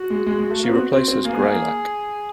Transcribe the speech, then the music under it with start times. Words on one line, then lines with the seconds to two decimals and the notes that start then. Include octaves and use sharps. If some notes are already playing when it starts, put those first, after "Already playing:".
She replaces Greylek.
Already playing: F#4
0.10 G#3
0.26 G#3
0.39 G#3
0.50 A3
0.63 A#3
0.69 C4
0.76 B3
0.92 C4
1.08 C4
1.25 A#3 G#4
1.33 B3
1.42 A#3